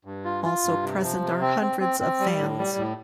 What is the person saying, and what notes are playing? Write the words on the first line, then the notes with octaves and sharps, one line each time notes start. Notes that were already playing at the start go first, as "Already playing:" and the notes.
Also present are hundreds of fans.
G2
F4
F4
G2
C3
F3
C3
C4
C4
C4
C4
G3
A2
G3
A2